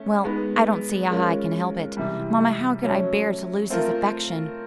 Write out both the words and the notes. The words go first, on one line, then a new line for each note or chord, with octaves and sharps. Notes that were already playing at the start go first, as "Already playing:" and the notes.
"Well, I don't see how I can help it, mamma how could I bear to lose his affection?"
Already playing: A3 C#4
G#3 B3 D#4
G#3 C#4 F4 A#4
C3 E3 G3
F#3 A3 C#4
A3 C4 F4 A#4